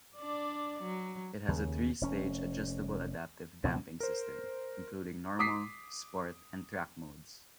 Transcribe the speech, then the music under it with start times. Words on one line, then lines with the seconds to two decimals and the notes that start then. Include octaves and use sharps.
It has a three-stage adjustable adaptive damping system including normal, sport and track modes.
0.16 D4 D5
0.82 F#3
1.48 D#2 C#3
2.01 F1 C#4
3.64 C#2 B2 E3 C4
4.00 A#4 C5
5.39 D6 D#6 B6 C7